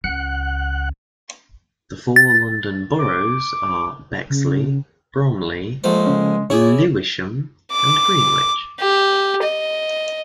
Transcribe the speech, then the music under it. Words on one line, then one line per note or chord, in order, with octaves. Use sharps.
The four London boroughs are Bexley, Bromley, Lewisham and Greenwich.
C#2 F#5 F#6
A6
D6
C#3
A#1 G#3 A3 C5
C#3 C#4
E4 G#4 C#5 D6
D6
G4
D#5